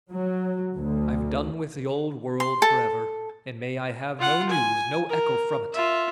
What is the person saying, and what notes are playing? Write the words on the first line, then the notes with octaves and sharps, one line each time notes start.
I've done with the old world for ever, and may I have no news, no echo, from it.
F#3
D2
C6
A4
F4 F#5
G#5
A#4
F4 E5